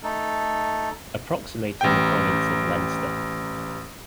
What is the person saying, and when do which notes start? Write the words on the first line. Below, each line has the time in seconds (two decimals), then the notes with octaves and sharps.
Approximating the province of Leinster.
0.03 A3 D#4 A4
1.81 A1 G5